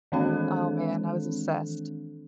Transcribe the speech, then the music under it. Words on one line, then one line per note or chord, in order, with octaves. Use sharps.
Oh, man. I was obsessed.
D#3 E3 G#3 C4 D4 A4